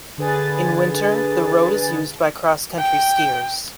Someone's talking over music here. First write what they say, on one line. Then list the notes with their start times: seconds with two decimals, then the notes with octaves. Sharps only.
In winter, the road is used by cross-country skiers.
0.18 D3 G#4 B4 G#5 A6
2.79 G5